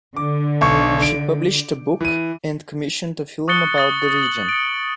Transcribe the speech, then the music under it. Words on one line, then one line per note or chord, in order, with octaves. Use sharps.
She published a book and commissioned a film about the region.
D3 D6
B1 C#6
D7
E3 D#7
C#6 D#6 F#6 A6 C#7 G7
D#6 A6
F#7
C#7 D7